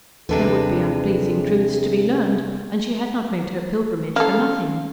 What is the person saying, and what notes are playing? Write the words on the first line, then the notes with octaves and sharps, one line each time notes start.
There would be unpleasing truths to be learned, and she had not made her pilgrimage for nothing.
D#2 C3 D4 G#4 A4 B4
A#3 C#4 A4 F5